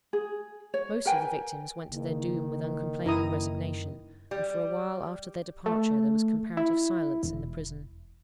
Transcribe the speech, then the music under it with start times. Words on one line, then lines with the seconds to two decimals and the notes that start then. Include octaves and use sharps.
Most of the victims went to their doom with uncomplaining resignation, and for a while after their departure there was comparative silence in the prison.
0.13 G#4
0.74 C#5
1.05 A#4 B4 G5 G#5
1.89 F#1 D#3
3.06 F#2 E4 A#5 D#6
4.31 G3
5.66 A3
6.57 E4
7.23 E1